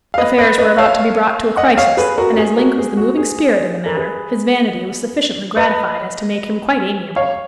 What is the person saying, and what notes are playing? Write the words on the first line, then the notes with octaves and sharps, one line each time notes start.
Affairs were about to be brought to a crisis, and as Link was the moving spirit in the matter, his vanity was sufficiently gratified as to make him quite amiable.
F5
B4 D#5
B4 D#5
B4 D#5
C#5 F5
D#5 F#5
C#5 F5
G#4 B4
F#4 A#4
A#4
G#4
F#4 A#4
G#4
F#4
G#4
A#4
G#4 B4
B4 D#5
C#5 F5